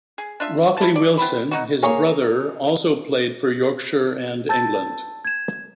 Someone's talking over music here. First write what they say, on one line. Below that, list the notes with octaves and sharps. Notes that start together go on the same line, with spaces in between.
Rockley Wilson, his brother, also played for Yorkshire and England.
G#4
D4 F4 E5
E4 A5
D5
B3 C4 E4 B5
F#3 D#4 F#4
A#3 G#4 C#5
A5 E6 G6 A6
G#6 E7